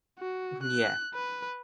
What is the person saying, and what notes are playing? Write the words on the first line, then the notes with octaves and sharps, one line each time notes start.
Mhm, yeah.
F#4
F#6
B4